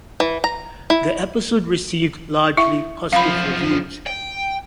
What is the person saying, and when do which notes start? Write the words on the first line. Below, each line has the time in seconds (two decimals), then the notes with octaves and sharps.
The episode received largely positive reviews.
0.20 E3
0.44 A#5
0.90 E4
2.57 E4 E5
3.13 F#2 F3 F5 B5
4.07 G5